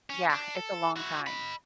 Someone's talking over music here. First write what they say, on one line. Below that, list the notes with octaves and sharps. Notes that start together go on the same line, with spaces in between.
Yeah, it's a long time.
C#4
D4
A4
E4 F#4
D#5 B5